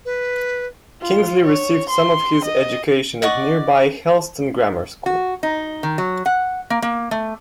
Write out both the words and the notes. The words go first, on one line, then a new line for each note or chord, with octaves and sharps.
Kingsley received some of his education at nearby Helston Grammar School.
B4
F4
C#5
C6
D#5
D5 D#5 F#5 C#6
F#4
D#4
D#3
F#3
F#5
A#3
A#3
A3